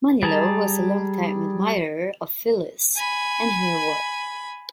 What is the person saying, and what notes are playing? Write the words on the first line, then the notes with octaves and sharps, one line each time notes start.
Manilow was a long time admirer of Phyllis and her work.
G3 G#4 A5 A#5
G#5 B5